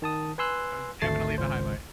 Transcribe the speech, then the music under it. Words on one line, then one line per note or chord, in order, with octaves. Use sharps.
That was definitely the highlight.
D#3 A5 D#6
B4 G#5 C6 E6 F#6
G#1 D2 A3 A5 A6 C7
G#1 C#2 C5